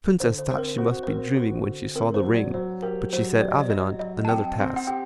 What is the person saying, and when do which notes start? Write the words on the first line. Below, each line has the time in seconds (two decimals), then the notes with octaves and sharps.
The Princess thought she must be dreaming when she saw the ring, but she set Avenant another task.
0.20 D3 C5
0.39 C5
0.49 C4 C5
0.58 A#4
0.78 F#4 C5
1.03 C5
1.07 C4 A#4
1.37 F#4 C5
1.66 D3
1.95 C4 A#4
2.14 C5
2.24 F#3
2.35 D5
2.54 F#3 C5
2.82 G4 A#4
3.13 F#3 C5
3.41 G4 D5
3.51 D#5
3.60 D5
3.70 F#3 D#5
3.99 F#3 D#5
4.25 A5
4.29 C4 G5
4.59 C4
4.76 F#5
4.87 G4 G5